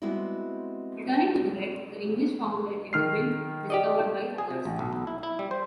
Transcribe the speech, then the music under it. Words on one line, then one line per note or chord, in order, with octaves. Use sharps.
Returning to the wreck, the English found that it had been discovered by others.
G3 G#3 B3 C4 E4 F#4
D#3 F6 C7
G4 D5 D#5
G#4
C3
A1
B1
B1
E4
E4
G3
C5